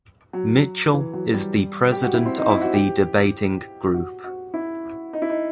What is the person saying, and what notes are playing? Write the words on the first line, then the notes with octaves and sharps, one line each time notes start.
Mitchell is the President of the Debating Group.
F#3
E3
F#3
G3
G4
F#4
E4
C4
D#4
E4
F#4
G4
F#4
F#4
E4
D#4
E4
D#4